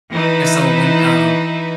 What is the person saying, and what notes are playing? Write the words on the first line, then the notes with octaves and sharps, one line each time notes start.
and so when, um
E3 D#4 E4 B4